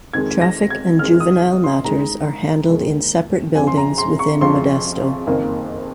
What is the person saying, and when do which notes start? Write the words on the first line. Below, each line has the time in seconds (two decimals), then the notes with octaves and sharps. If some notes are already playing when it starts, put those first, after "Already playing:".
Traffic and Juvenile matters are handled in separate buildings within Modesto.
0.14 F2 D#3 G#3 G#6
0.41 A#6
0.70 G#6
0.99 F2 D#3 G#3 F6
1.20 D#6
1.64 C6
1.84 D#2 D#3 G#3 A#5
2.69 D#2 D#3 G#3
3.55 F2 C#3 F3 G#5
3.67 C6
3.77 A#5
3.98 C6
4.19 C#6
4.41 F2 C#3 F3 C6
5.27 F#1 F2 D#3 A#3